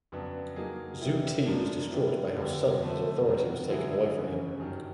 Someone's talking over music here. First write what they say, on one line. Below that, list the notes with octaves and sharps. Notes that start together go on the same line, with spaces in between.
Zu Ti was distraught by how sudden his authority was taken away from him.
F2 C#3 F#3 B3 D4
F#3 A#3 D#4 G#4
G3 B3 E4
G#2 F3 A#3 D4
G3 B3 E4
F2 D3 G3 B3
D3 F3 A3
D#3 F#3 B3
D3 F#3 B3 E4 G#4
F#2 C#3 E3
G2 D#3 F#3